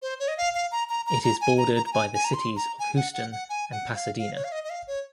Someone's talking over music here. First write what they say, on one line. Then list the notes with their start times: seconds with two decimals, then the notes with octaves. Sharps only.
It is bordered by the cities of Houston and Pasadena.
0.02 C5
0.20 C#5
0.28 D#5
0.37 F5
0.54 F5
0.72 A#5
0.89 A#5
1.06 A#5
1.23 A#5
1.41 G#5
1.58 A#5
1.76 A#5
1.86 A#5
1.93 G#5
2.14 G#5
2.24 A#5
2.34 C6
2.56 A#5
2.79 G#5
2.96 F#5
3.13 F#5
3.32 F#5
3.49 G#5
3.72 F#5
3.95 F5
4.18 F5
4.35 C#5
4.44 F5
4.52 D#5
4.64 D#5
4.70 F5
4.87 C#5